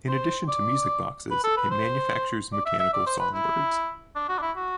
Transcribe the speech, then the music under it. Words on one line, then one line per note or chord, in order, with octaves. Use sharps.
In addition to music boxes, it manufactures mechanical songbirds.
C5
D5
B4
A4
B4
C5
D5
E5
E5
D5
C5
B4
E4
D4
F#4
D4
E4
F#4